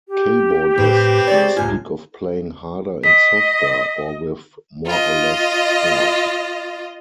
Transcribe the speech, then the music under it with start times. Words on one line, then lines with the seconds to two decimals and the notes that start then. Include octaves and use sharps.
Keyboardists speak of playing harder and softer, or with more or less force.
0.08 G4
0.78 A2 C4 B4
1.27 G#3 C#5 D5
1.57 C#2 A2 F4 G#5
3.04 D#5 B6
4.86 F4 D#5